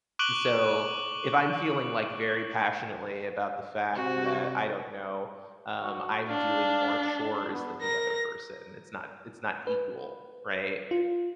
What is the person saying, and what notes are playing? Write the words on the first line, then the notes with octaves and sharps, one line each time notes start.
so, if I'm feeling, like, very passionately about the fact that, I don't know, um, I'm doing more chores than the other person, it's not it's not equal, right?
C#6 D6 F#6 D7 F#7 G7
C3 F#4
F#4
D4 F5
B3
A#4 A#6
B4
F4